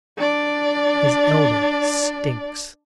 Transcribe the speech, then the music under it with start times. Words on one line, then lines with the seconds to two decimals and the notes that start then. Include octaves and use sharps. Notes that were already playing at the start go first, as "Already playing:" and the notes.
"His elder stinks."
0.17 D4 D5